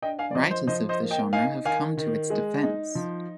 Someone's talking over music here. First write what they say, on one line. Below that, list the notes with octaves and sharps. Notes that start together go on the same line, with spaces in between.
Writers of the genre have come to its defense.
D4 D#5 G5
F5 G#5
D5
F3 C5 D#5
C5 D#5
F3 C5 D#5
C5 D#5
A#3
D#5 G5
D#4 F5 G#5
D#3 F5 G#5
D#3
G#3
D#4
F3